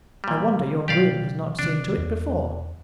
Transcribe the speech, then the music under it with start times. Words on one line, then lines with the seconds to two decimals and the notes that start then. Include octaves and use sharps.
I wonder your groom has not seen to it before.
0.24 A#2 G3
0.88 B2 D#3 F#3 G4 D5 F5
1.59 C3 D#3 D4
1.97 E2